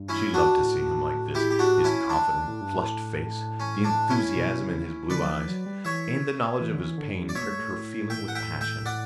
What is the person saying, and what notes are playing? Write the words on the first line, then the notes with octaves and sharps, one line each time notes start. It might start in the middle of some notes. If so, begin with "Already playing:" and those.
She loved to see him like this, his confident, flushed face, the enthusiasm in his blue eyes; and the knowledge of his pain pricked her feeling with passion.
Already playing: G2
C#4 E4
D4 F#4
A2
E4 G4
G4
D4 F#4
C#4 E4
D4
A2
G2
A2
C#4
D4
C#4 E4
B2
C#3
D3 B4 D5
F#3
E3
F#3
G3
E3 C#5 E5
E3
D3
E3
D3
G2
F#2
D5
B2 C#5 E5
A2
G2
A2
E5 G5
F#5
E5 G5
E5 G5
D5 F#5